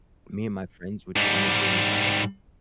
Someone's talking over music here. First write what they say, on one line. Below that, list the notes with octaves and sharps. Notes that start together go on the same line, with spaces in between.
me and my friends would kind of go into
G#2 G3